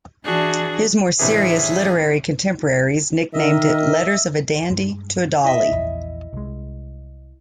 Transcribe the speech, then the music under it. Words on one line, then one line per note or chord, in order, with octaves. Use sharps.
His more serious literary contemporaries nicknamed it Letters of a Dandy to a Dolly.
E3 D4 F#4 G#4
A1 C3 E3 D4 G#4 E5
D#3 A#4 D#5 E5
G2 G#3
E4 D#5 E5
A#1 E2
C2 G#3